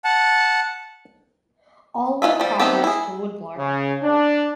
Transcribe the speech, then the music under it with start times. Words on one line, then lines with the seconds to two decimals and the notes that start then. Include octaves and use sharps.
All were prizes to "Woodlark".
0.04 F#5 A5
2.22 E3 E4 F4 E5
2.40 F3 G3
2.60 D#3 A3 B3 C4 G4
2.84 E4 G#4
3.57 C#3
4.02 D4